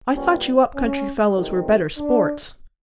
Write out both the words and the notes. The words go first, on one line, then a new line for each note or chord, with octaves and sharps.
"I thought you up-country fellows were better sports."
A#2 G3 B3 C#4
C#4
F2 C3 D#3 G3
D4